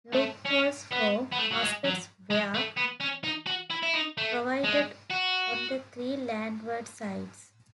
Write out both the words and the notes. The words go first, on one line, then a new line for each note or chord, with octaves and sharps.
Loopholes for muskets were provided on the three landward sides.
A3
C#4
B3
B3
A3
F#3
G#3
F#3
G#3
A3
B3
C#4
D#4
F#4
E4
E4
D#4
A3
G#3
F#4